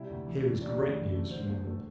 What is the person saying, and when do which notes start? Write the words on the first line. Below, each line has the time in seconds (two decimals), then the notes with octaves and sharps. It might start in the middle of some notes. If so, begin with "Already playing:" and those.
Here is great news from England.
Already playing: C3 G3 E4 E5
0.10 D2
0.27 E3
0.44 A3
0.61 C3 D4 D5
0.79 D2
0.96 E3
1.14 A3
1.31 D3 C5
1.49 E2
1.66 A3